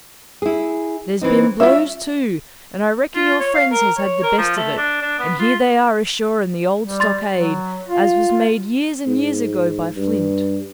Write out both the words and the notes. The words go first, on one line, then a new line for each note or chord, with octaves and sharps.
There's been blows too, and I reckon your friends has had the best of it; and here they are ashore in the old stockade, as was made years and years ago by Flint.
E4 G#4
E3 C4 D#4
C#4 E4 F4 E5
F4
C#5
F5
A#4
C#5
A#4
F3
A3
D4
D4
B3
F4
G3
C6 A6
F#3
F4
G#2
G2